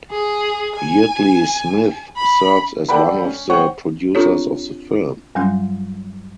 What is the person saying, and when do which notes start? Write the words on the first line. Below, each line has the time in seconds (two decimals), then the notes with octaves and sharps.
Yeardley Smith serves as one of the producers of the film.
0.11 G#4
0.76 G#5
2.17 B5
2.89 A4 D5 F#5 G5 B5
3.24 C#4
3.50 C5 C#5 F#5 G5 C#6
4.15 C4 D4 F4 G4 A4 C#5
5.35 G2 F#3 G3 C#4